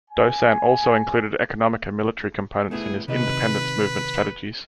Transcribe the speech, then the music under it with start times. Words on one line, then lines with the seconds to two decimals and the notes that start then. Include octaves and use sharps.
Dosan also included economic and military components in his independence movement strategies.
0.11 G#5
2.71 A3 B3 E4 G#4
3.08 C3 D#3 B4 D#5